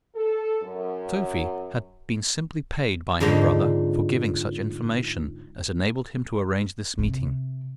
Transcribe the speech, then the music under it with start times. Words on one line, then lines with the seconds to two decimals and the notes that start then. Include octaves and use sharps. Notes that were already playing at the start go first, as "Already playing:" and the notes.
Sophie had been simply paid by her brother for giving such information as enabled him to arrange this meeting.
0.15 A4
0.63 F#2
3.20 F2 G#2 D3 A#3 D#4
6.99 C3